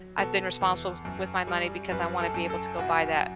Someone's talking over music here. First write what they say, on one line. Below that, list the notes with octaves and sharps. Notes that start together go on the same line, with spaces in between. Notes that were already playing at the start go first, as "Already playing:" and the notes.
I've been responsible with with my money because I wanna be able to go buy that,
Already playing: F#3
B2 A4
E2
F#2
G3
F#2 B4
A4
F#2
A4
C2 F#4